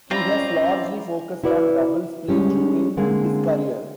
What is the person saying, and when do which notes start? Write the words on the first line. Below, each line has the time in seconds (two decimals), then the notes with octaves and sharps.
He has largely focused on doubles play during his career.
0.11 C4 C#4 F4 D5 E5 A#5 B5
1.44 E4 F#4 B4 D5
2.29 G3 G#3 C#4
2.97 D3 G#3 A#3 C4